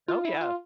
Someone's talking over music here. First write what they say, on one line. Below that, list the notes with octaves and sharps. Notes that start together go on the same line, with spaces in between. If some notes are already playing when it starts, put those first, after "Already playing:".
Oh, yeah.
F4
E4
F4